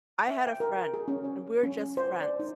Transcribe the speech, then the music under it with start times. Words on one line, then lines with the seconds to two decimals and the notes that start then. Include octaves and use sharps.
I had a friend, and we're just friends.
0.28 E5
0.47 G5
0.60 A#4
0.94 G#4
1.08 C#4
1.24 C#5
1.63 C#4
1.97 C5
2.21 D5
2.39 D#4